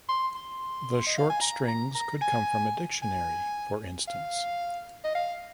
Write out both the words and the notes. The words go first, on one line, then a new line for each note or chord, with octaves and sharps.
The short strings could come from a dictionary, for instance.
C6
C6
D#5
F5
G#5
A#5
A#5
A#5
G#5
G#5
F5
D#5
F5